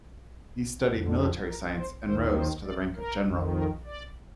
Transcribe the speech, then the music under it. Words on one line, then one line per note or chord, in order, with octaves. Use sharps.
He studied military science and rose to the rank of general.
F2 D3
G4
A#4
C5
D#2 D#3 C5
C5
D5
A#4
F2 D#3
A#4
D5